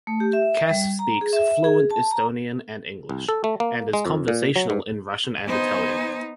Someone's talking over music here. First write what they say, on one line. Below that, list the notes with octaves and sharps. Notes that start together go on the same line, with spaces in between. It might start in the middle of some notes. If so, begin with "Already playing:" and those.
Kass speaks fluent Estonian and English, and is conversational in Russian and Italian.
A3
G4
E5
G3
A#5
G#4
E5
G#4
A5
A#5
C2
A4
A3
A#3
G#3
F2
A#2
F#3
G#2
B3 D#4 C5 G#5